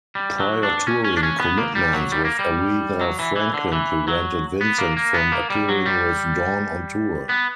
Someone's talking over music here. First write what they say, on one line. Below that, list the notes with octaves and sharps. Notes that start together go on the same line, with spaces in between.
Prior touring commitments with Aretha Franklin prevented Vincent from appearing with Dawn on tour.
G3
F#3
D4
C#4
C#4
D4
C#4
B3
A#3
G3
F#3
G3
A#3
G3
F#3
E3
E3
D3
E3
F#3
B3
A#3
A#3
B3
A#3
G3
F#3
G3
B3